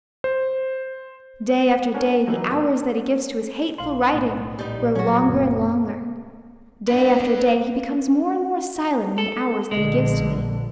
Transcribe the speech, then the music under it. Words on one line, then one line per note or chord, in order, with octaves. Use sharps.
Day after day the hours that he gives to his hateful writing grow longer and longer; day after day he becomes more and more silent in the hours that he gives to me.
C5
C#4 D4 A#4 C#5
E3 F#3 D#4 A4 A#4
G#1 A#4 G5 A5 E6
B1 F5 C6 F#7
A2 D#6
A#1 A#2 G3 D#4
F#3 C#4 F#4 A#4
F#1 A3 B3 C4
D4 B4
A4
A#1 D3 G#3